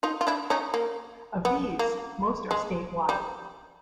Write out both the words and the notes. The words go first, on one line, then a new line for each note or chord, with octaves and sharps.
Of these, most are statewide.
D#4 F4
F4
D4 E4
C#4 D#4
A#3
B3
A#3
G#3
G3